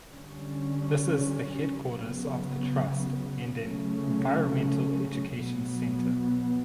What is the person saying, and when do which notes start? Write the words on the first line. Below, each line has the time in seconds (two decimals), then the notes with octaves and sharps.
This is the headquarters of the trust and an environmental education centre.
0.11 D3 G3 C#4
1.88 C#3 F#3 B3
3.64 C#3 F#3 A3 C#4
5.41 B2 F#3 B3